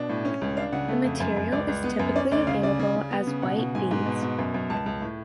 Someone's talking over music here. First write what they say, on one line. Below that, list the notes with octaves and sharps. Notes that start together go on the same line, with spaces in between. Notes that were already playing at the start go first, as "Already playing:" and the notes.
The material is typically available as white beads.
Already playing: B2 D4
A2
C#4
C#2
D4 F5
C#3 F#5
A3
F2
F#2
F#2
C#2 D5
C#2
B3
F#2
C#4 D5
D2 D5
C#3 F5
C#3 D5
C#3
C#3
B3
C#3
B2 F#5
B2
G#2 G#5
G#2
B2
B2
F#2
F#2
C#2 A5
C#2
A2